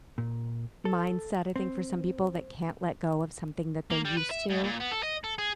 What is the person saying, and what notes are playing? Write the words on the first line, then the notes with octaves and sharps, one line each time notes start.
mindset, I think for some people that can't let go of something that they're used to,
A#2
A4
C4
A#3
G3
B4
E5
G#2
A#2
B3
A4
D#5
A4
G#4